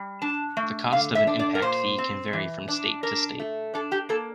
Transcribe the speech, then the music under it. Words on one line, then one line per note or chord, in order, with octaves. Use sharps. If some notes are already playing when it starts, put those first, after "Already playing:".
The cost of an impact fee can vary from state to state.
Already playing: G3
D4 A5
A3
D3 F5
E5
D4
D5
A#4
A#2 C5
C4
E3
D4
D4 A#4
A3
D4 A4
G4
A#3 A4